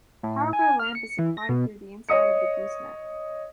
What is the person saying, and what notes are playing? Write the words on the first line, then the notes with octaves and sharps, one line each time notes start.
Power for the lamp is supplied through the inside of the gooseneck.
A2
G#5
F6
C#7
E3
A#6
B2
C#5 D#5 D#6 C#7